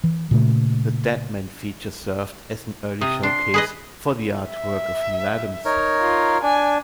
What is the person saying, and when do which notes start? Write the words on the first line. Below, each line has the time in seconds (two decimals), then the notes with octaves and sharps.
The "Deadman" feature served as an early showcase for the artwork of Neal Adams.
0.04 E3
0.31 A#2 C#3 A3
3.01 C3 D#6
3.23 D4 C6
3.54 G#4 B4 D#5
4.49 E5
5.65 D#4 A#4 C#5
6.01 F4
6.43 D4 G#5